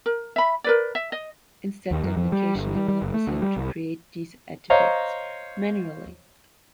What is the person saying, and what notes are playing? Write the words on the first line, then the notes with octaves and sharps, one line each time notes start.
Instead the application developers have to create these artifacts manually.
A#4
E5 B5
A#4 B4 D5
E5
D#5
D#2
F#2
F2
G3
G1
G3
G3
F#1
A3
D2
G3
C2
C5 C#5 D#5 F5 A#5